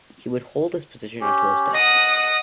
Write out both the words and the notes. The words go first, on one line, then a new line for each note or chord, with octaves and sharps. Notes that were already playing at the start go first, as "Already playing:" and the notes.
He would hold this position until his death.
C#4 G4
D#5 F#5 D#6